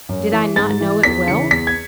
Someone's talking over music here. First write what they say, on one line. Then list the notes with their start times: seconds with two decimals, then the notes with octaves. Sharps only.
Did I not know it well?
0.09 F#2
0.33 E3
0.56 G#2 A6
0.81 E3
1.03 E2 B6
1.28 C#3 E3 C#7
1.51 E2 B6
1.67 G#6